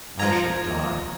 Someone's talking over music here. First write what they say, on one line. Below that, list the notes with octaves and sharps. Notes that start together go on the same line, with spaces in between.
I shall die!
F3 A#5 G#6